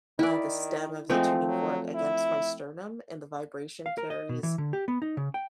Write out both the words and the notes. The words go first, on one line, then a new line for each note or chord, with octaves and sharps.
uh, the stem of the tuning fork against my sternum and the vibration carries,
D#3 E4 D5
F3 G#3 A3 C4
F#3
E4
F5
A#4
D#5
B2
E3
D3
G4
B3
D#4
C#3
G5